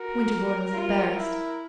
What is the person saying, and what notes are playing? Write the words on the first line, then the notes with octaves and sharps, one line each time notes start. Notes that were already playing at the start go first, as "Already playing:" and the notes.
Winterbourne was embarrassed.
Already playing: F#4 A#4
F4
E4